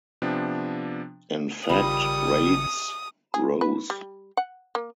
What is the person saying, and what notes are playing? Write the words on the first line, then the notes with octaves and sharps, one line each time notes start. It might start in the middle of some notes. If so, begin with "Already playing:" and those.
In fact, rates rose.
C3 F3 B3 D4
G#1 C#3 G3 F4 A#4 B5 D#6
G#4
B4
G3
F#5
A#3